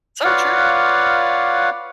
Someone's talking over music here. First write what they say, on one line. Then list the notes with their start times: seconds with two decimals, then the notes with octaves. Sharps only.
So true.
0.25 F4 B4 C#5 D5 F5 F#5